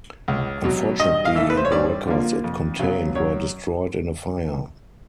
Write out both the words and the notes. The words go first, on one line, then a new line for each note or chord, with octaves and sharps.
Unfortunately, the records it contained were destroyed in a fire.
C#2
B2 F#3
G2 D#5
F5
E3 A3 E5
B4
C5
C#5
G2 D5
D3 F3 A#3
F2
C#3 F#3 B3
F#2 C#5